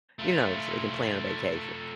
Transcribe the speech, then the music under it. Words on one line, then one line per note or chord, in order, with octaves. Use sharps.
you know, so they can plan a vacation,
A3 F4